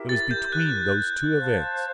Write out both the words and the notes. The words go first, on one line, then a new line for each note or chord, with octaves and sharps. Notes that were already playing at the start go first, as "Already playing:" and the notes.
It was between those two events.
Already playing: E4 G4 A#4
A6
G6
F#6
C5 F5 A5